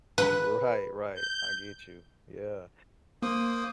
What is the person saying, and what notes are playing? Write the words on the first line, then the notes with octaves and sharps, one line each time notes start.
Right, right, I get you, yeah,
B4
G6
A#3 C5 D#6